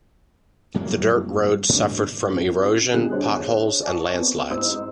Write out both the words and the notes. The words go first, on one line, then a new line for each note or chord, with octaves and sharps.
The dirt road suffered from erosion, potholes and landslides.
C2 F#2 F#3 A#3
G#2 D4
F2 F3 F#3 A#3 C#4
B2 D3 G3 G4 G#4 F#6
D4 G#4 C5 C#5
D5 G#5 A5 C#6
B3 C4
F2 G#2 E4 C5 E6